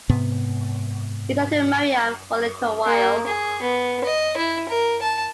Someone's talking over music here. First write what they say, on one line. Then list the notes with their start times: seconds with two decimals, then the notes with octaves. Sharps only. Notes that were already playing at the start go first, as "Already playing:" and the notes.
He talked to Miriam for a little while.
0.09 G#2 C3 B3
2.85 A#3
3.26 G#4
3.62 B3
4.04 D#5
4.37 E4
4.69 A#4
5.02 A5